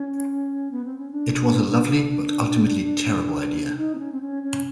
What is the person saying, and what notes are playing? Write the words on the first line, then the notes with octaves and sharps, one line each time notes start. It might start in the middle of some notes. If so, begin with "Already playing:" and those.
It was a lovely but ultimately terrible idea.
Already playing: C#4
B3
C4
C#4
D4
D#4
C4
C#4
C4
C#4
C#4